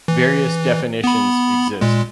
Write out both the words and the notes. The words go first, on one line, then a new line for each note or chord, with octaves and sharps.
Various definitions exist.
E3
B3 B5
A#2 G#3